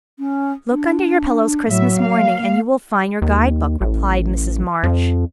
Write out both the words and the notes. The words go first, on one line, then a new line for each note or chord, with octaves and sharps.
"Look under your pillows Christmas morning, and you will find your guidebook," replied Mrs. March.
C#4
D4
A2 F#3 E5
A#3 F5
D#2
A1
F2